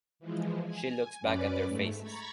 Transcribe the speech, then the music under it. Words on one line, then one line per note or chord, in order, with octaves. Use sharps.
She looks back at their faces.
E3 F3 G#3
G#5
F#2 C#4 B4 D5 D6
G#2 A3
A#5 B5 C#6 G#6 A6 B6